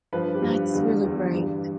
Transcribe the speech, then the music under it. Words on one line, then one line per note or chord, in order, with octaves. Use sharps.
That's really great.
G2 F3 B4
G4
G2 F3 F4
E2 D3 G3
E2 D3 G3
G2 E3 G3